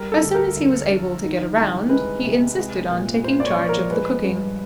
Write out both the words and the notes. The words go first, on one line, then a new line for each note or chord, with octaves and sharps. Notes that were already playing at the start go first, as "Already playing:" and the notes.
As soon as he was able to get around he insisted on taking charge of the cooking.
Already playing: G3 A#4
A4
D2
A#4
D2
D3
D#3
C2
G#3 B4
C3
G#3
A#2
A#2 C5
D5
C#5
F3
A#4
G#3 B4
G2